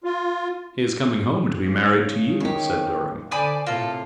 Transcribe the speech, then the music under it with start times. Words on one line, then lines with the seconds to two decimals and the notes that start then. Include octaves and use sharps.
"He is coming home to be married to you," said Durham.
0.04 F4
1.64 C#3
2.40 D#3 G4 C#5
2.95 D#2
3.31 D3 C5 D5 G#5 B5 D#6
3.66 A2 C3 A#3 F4 A4